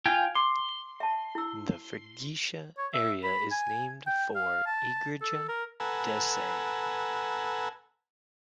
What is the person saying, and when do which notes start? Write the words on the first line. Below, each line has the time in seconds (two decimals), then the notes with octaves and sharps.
The freguesia area is named for "Igreja da Sé".
0.06 F4 G5 G#5
0.35 C6 D6
1.00 E5 A5
1.35 E4 E6
2.78 C#5
2.94 E5
3.24 B5
3.51 G#5
4.07 G5
4.36 F5
4.66 A5
5.22 A4
5.49 A#4
5.80 A4 B4 F#5 G#5 A#5 E6